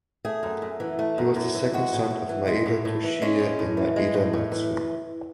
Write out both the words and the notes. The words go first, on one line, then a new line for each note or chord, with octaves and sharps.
He was the second son of Maeda Toshiie and Maeda Matsu.
A3 G#4
F#2
F#2
E3
A3
F#2
F#2
E3
G#3 F#4
A2
A2
E3
G#3
A2
A2
E3
G#3 C#4
A2
A2
E3
G#3
A2
A2
E3